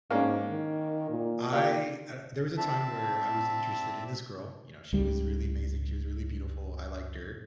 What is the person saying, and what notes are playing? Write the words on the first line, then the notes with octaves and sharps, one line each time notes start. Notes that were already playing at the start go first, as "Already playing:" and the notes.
I uh, there was a time where I was interested in this girl, you know, she was really amazing, she was really beautiful, I liked her.
G#2 A#3 C#4 D4
D#3
A#2
A#3 F4 G4 D5
C4 D4 E5 A5
C#2 G3